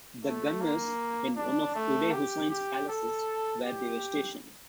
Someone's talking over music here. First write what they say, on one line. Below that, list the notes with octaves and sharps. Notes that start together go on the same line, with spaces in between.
"The Gunners" in one of Uday Hussein's palaces where they were stationed.
A3
A#3
D4
A3
G4
G4
A4
G4